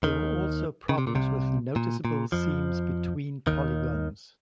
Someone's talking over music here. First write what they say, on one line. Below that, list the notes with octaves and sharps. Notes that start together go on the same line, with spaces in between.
There were also problems with noticeable seams between polygons.
D#2 D#3
C#3
C3
A#2
C2 C3
A#2
A#2
F2 F3
D#2 D#3